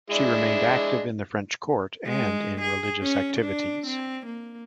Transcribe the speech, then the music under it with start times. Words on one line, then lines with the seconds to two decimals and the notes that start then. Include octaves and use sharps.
She remained active in the French court and in religious activities.
0.10 G#3 D4 E4
2.06 G#3
2.61 G#4
3.02 C#4
3.40 D4
3.87 C4
4.26 A#3